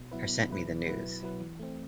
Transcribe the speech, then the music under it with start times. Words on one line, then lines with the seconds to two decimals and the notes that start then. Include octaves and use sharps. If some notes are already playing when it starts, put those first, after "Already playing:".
Her sent me the news.
Already playing: B2
0.11 F#3 B3 E4 B4
0.29 B2
0.48 F#3 B3 E4 B4
0.67 B2
0.85 F#3 B3 E4 B4
1.04 B2
1.23 F#3 B3 E4 B4
1.40 E3
1.60 A3 C4